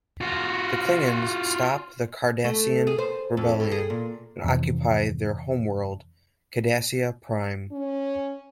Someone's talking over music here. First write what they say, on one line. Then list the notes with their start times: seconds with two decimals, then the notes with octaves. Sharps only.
The Klingons stop the Cardassian rebellion and occupy their homeworld, Cardassia Prime.
0.21 F4 F#4
2.44 A3
2.87 G#4
2.98 C5
3.37 F2
3.60 A2
3.72 G#4
3.90 A#2
4.44 F2 C3 E3 C4
7.71 C#4